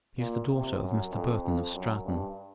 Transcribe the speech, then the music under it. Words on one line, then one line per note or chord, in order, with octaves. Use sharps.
"She is the daughter of Mr. Burton of Stratton."
A#2
C3
F#2
F2
F2
F#2
G2